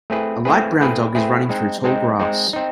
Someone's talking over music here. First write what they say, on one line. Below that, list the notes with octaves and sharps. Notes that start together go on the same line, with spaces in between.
A light brown dog is running through tall grass.
A3 C4 E4 G#4 B4
A3 C4 E4 G#4 B4
A3 C4 E4 G#4 B4
A3 C4 E4 G#4 B4
G#3 C4 D#4
G#3 C4 D#4
G#3 C4 D#4
C4 D#4